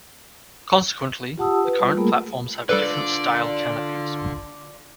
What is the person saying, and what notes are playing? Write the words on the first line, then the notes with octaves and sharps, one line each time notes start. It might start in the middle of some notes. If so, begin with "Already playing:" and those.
Consequently, the current platforms have different style canopies.
F4 G4 F#5 A5 D#6 E6
B4
G3 F4
G3 A3 A#3 G#4 A#4 B5
D3 G3 D4 F4 A4 B4 D5